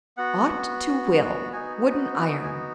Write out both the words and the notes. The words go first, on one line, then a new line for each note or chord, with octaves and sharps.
"Ought to will!"--wooden iron!
B3 F#4 F#5
B3 D#4 F#4 G#5
F#5
G#5